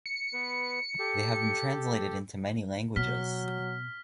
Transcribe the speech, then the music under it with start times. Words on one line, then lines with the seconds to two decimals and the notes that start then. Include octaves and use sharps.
They have been translated into many languages.
0.06 C#7
0.33 B3 B4
0.99 G4 A4
2.96 B2 F#3 F6 B6